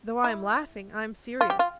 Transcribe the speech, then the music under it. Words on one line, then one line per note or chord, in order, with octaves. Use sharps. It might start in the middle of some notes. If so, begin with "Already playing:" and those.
Though I am laughing, I am serious.
E4
F4
G4
F4